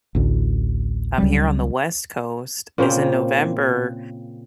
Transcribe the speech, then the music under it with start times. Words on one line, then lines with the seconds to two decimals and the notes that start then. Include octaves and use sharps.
um, here on the West Coast, is in November,
0.15 A1 D2
1.18 C#2 F#3 G3
2.78 A#2 C#3 A#3 C4